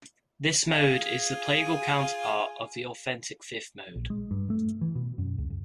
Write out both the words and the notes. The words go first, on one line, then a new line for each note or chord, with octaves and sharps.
This mode is the plagal counterpart of the authentic fifth mode.
F4 G#4
A#1
G#3
G2
A3
E3
B2
F#2
C#2
C#2